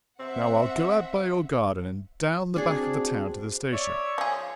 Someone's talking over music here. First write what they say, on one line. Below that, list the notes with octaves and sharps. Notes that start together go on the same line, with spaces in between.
Now I'll go out by your garden and down the back of the town to the station.
C4 E5 F#5
C4 D4 F#4 G#4
C#5 D5 E5
F3 G#4